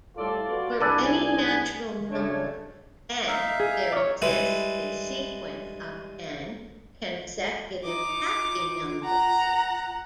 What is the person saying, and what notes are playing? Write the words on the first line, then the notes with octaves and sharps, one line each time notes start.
For any natural number "n", there exists a sequence of "n" consecutive happy numbers.
A2 G3 F4 A4 D5
B3 F#4
C2 D4 G#4 A4 B4 D5 G#5
C#3 A3 D4 C#5
D#4 E5 F5
G#4
C#5 D5
G3 G#3 E4 B4
D#4 F4 D6
F#5 A#5